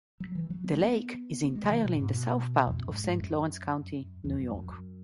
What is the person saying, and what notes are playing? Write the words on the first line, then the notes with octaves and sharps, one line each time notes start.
The lake is entirely in the south part of Saint Lawrence County, New York.
F#3
E3
F#3
B3
G#3
B3
B3
G#3
C#3
E3
B2
G#2
B2
E2
F#2
G#2
G#2
F#2
E2
F#2
F#2
F#2